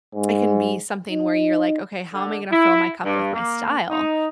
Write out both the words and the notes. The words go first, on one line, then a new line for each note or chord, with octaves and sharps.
it can be something where you're like, "Okay, how am I gonna fill my cup with my style,"
G#2
D#4
D3
E4
G2
A#3
D#4